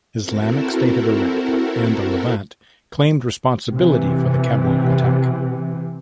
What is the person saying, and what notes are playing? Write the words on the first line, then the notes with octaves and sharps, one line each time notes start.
Islamic State of Iraq and the Levant claimed responsibility for the Kabul attack.
C4 E4 F#4 A4 A#4
C3 E3